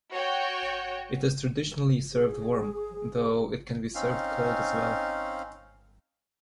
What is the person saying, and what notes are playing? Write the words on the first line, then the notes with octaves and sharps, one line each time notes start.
It is traditionally served warm, though it can be served cold as well.
F#4 C#5 G5
G#4
C4 C#4 D#4 F5